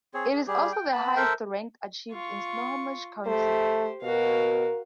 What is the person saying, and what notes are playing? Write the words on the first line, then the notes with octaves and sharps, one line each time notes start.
It is also the highest rank achieved in Snohomish County.
C4 G#4 C#5
G#4
G3 G4 G#4
G5
B3 A5 B5
A4 A#4 C5 E5
F4 C#6
A3 G4 C5
B2 F#4 A#4 F5